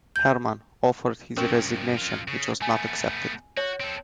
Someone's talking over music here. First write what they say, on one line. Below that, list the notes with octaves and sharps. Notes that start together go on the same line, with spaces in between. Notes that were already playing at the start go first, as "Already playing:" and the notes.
Herrmann offered his resignation, which was not accepted.
G6
G2 F3 C#4 A#4 C#6
F2 F4
C#3
A3 B3 G#5
F#4 C#5
C4 A4